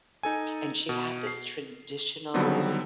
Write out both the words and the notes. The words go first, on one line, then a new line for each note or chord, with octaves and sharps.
and she had this traditional,
D#4 A4 G#5
B2
C7
D3 D#3 F#3 G3 B3 C4